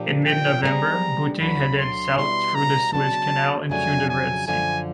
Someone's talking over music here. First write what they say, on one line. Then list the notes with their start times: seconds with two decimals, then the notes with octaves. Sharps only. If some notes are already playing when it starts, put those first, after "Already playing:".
In mid-November, "Butte" headed south through the Suez Canal into the Red Sea.
Already playing: A#2 F3 A#3 D4 G4
0.25 G5
0.63 G3 B3 E4 G#4 C5 A#5
1.40 D2 D3 F#3 B5
1.79 C6
2.17 B2 G3 B3 E4 C6
2.55 A#5
2.93 C#3 F#3 B3 D4 F#4 A5
3.71 F2 C#3 F#3 A3 D4 G#5
4.09 G#5
4.47 F#2 D3 F3 G#5